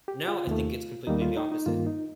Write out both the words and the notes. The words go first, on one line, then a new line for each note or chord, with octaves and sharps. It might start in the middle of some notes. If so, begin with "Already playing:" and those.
Now, I think it's completely the opposite.
G4
F4
D#2 D#3 A3
D#2 D#3 G3 A#3 D#4
F4
D#4
D#4
G2 D#3 A#3 F4
D#4